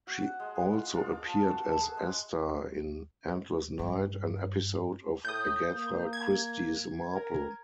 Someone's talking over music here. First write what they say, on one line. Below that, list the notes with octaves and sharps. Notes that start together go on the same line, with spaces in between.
She also appeared as Esther in "Endless Night", an episode of "Agatha Christie's Marple".
F#4
F#5
G#3
G#4
F4
F4
D6
A5
F#4
A4
G#4
G#3
G2
A2 D#6 G6
A#3
G#6
A#4